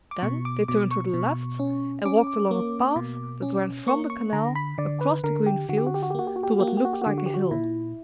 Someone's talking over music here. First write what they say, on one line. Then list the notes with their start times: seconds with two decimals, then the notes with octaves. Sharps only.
Then they turned to the left and walked along a path that ran from the canal across the green fields to what looked like a hill.
0.11 D6
0.22 B2 C#6
0.45 D6
0.68 B2 D6
0.91 C#6
1.14 B2
1.59 C#4
2.05 C#4 D6
2.51 A#3
2.96 B2
3.42 C#4
3.87 A#3 C#6
4.10 C#6
4.33 D3 A#5
4.55 B5
4.78 D3 D5
5.01 B4
5.24 D3 A#4
5.46 G4
5.69 D3 F#4
5.78 G4
5.86 F#4
5.94 G4
6.02 F#4
6.10 G4
6.15 A#3 F#4
6.27 G4
6.36 F#4
6.43 G4
6.53 F#4
6.60 A#3 G4
6.68 F#4
6.77 G4
6.85 F#4
6.93 G4
7.02 F#4
7.06 D3 G4
7.18 F#4
7.26 G4
7.34 F#4
7.51 A#2 E4